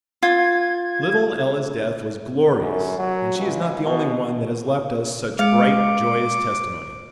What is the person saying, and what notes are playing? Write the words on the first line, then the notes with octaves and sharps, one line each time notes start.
Little Ella's death was glorious and she is not the only one that has left us such bright, joyous testimony.
F4 G#6
F#2
F#3
C#2
B2
G#3 F5 D6 C#7